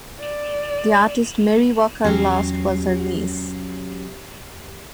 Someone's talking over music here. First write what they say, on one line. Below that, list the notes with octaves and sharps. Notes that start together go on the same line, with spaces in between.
The artist Marie Walker Last was her niece.
D5
E2 F#3 C#4 G4 C7